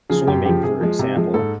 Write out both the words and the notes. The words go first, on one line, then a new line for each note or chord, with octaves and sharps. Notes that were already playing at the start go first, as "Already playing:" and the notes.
swimming, for example.
C#3 F3 G#4
F#2 G4
C#3 F3 G4
C3 G#4
F3 G#3
C3
F3 G#3
G#2 A4